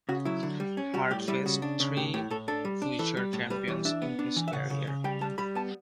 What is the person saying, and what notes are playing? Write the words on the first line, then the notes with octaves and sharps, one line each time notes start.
Hart faced three future champions in his career.
C#3 F#4
F#3 E4
D3
G3
C#4
G3 F#4
A2 G4
G3 E4
C#3 F#4
D4
C#3
A2 G4
A2 G4
A2 A4
D4 A4
G3
D4
E3 A4
G3
A2
G3 B4
E3 C#5
D4 E5
B3
D4
E3
E5
C#3 F#5
C#3
C#3
G3 G5
G3 A5
G3 B5
B3 A5